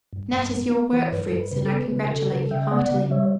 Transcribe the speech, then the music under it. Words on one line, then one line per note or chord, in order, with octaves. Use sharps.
Nat is your work, Fritz, and I congratulate you heartily.'
G2
G2
B3
B3
E3
C#5
G2 B4
A4
G2
B4
C#3 B4
A4
B3
B4
C#3 B4
C#3 A4
C#3 B4
A4
C#3 E5 G5
E5 G5
B3 D5 F#5
C#3
G3 C#5 E5